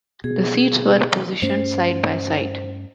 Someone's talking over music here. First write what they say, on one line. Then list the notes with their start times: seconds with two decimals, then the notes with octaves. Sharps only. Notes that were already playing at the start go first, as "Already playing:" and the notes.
The seats were positioned side-by-side.
0.24 B2 G#4
1.42 G2 A3 C#4 C5